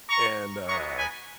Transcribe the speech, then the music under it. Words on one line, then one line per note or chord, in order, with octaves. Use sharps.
And, uh,
A#5 C#6
G#3 B3 D#4 F#4 A#5 C#6
G#5 B5